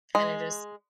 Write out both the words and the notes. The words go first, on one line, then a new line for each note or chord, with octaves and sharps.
kinda just
G#3